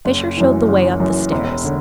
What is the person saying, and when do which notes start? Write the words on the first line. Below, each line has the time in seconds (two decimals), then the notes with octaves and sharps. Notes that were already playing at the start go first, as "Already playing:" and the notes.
Fisher showed the way up the stairs.
0.05 F#1
0.37 F#2 E3
0.68 F#1
1.00 F#2 E3
1.31 E1
1.64 D3